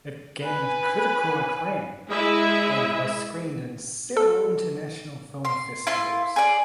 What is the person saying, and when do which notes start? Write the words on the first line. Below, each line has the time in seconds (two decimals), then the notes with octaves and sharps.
It gained critical acclaim and was screened in several international film festivals.
0.44 B4 G#5
2.11 G#3 E4 E5
4.17 A4
5.45 C6
5.87 E4 F4 C6
6.36 G#4 D5